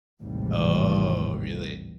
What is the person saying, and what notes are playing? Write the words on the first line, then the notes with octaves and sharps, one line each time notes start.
Oh, really?
A1 D#2 G#2 C3 E3 G3